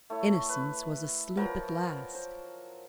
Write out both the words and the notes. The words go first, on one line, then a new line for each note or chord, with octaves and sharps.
Innocence was asleep at last.
A3 E4 C#5
B4
F3 F#3 A#4 B4
C5